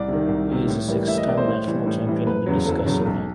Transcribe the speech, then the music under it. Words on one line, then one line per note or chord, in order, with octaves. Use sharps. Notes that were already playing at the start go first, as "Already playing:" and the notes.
He is a six-time national champion in the discus event.
Already playing: C2 D5
C3 D#3
C2
C3 D#3
A2
E3 G3 A#3
A2 E5
D#5
E3 G3 A#3 D5
C5
A2
E3 G3
A2
E3 G3
F#1 B4
E2 C#3 F#3
F#1 A4
E2 C#3 F#3
B1